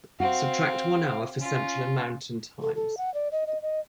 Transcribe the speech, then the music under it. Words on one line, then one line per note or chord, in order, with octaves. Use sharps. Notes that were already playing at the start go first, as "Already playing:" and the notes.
Subtract one hour for Central and Mountain times.
C4 F#4 F5
C#4 F4
A4
A4
F#5
D5
D#5
D#5
D#5